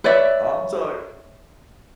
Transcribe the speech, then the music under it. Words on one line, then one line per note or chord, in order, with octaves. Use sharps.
I'm sorry
B4 C#5 D5 E5